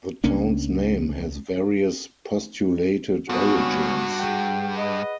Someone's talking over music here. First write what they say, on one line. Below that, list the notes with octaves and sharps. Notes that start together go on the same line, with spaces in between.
The town's name has various postulated origins.
C#2 A#3 C#4 D4
G2 B3 C#4 F#4 C#6 D#6
G#4 F#5 G5
B4 D#5